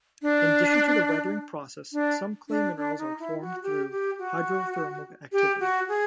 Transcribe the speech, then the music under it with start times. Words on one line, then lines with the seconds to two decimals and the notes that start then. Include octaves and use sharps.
In addition to the weathering process, some clay minerals are formed through hydrothermal activity.
0.22 D4
1.93 D4
2.49 D4
2.77 D4
2.98 D#4
3.20 E4
3.41 F#4
3.63 G4
3.91 G4
4.19 F#4
5.32 G4
5.60 F#4
5.89 G#4